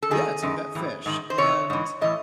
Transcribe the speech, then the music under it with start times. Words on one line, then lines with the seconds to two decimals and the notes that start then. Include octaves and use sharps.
yeah, it's a pet fish, and
0.02 A4
0.11 E2 D#3 G#4
0.42 F#2 D#3
0.75 A2 E3
1.06 G#2 D#3
1.30 C5
1.38 E2 C3 E3 C#5
1.70 G#2 E3
2.01 A2 E3 D#5